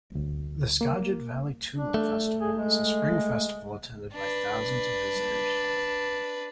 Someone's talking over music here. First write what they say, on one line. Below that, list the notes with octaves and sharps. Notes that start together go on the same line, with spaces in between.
The Skagit Valley Tulip Festival is a spring festival attended by thousands of visitors.
D2
A#3
D4
A3
G#4
G#3
D4 B4